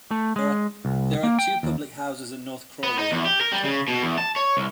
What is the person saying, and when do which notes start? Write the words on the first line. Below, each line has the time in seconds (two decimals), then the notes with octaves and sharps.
There are two public houses in North Crawley.
0.11 A3
0.36 G#3
0.85 C2
1.23 A#3
1.39 G5
1.63 D#2
2.83 B3
2.99 D#4
3.12 E2
3.25 G4
3.41 A#4
3.52 G3
3.65 C#3
3.88 B2
4.03 E2
4.18 A5
4.36 C#5
4.57 C2